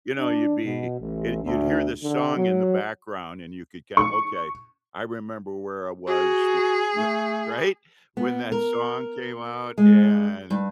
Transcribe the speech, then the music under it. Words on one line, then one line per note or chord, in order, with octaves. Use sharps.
you know, you'd be eh, you'd hear this song in the background, and you could ki "Okay, I remember where I was w wh" Right? When that song came out, and
D4
B2
A1
D2
D3
F#3
C#6
F#4 G#4
A3
B3
A#4
G#3
G2